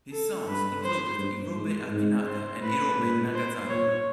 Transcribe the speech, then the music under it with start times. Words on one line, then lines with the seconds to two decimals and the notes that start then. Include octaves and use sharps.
His sons included Irobe Akinaga and Irobe Nagazane.
0.11 A4
0.47 G2 B4
0.82 C5
1.18 G2
1.55 G#2
1.90 G#2
2.25 C5
2.61 A2 B4
2.98 A#2
3.33 C5
3.68 A#2 C#5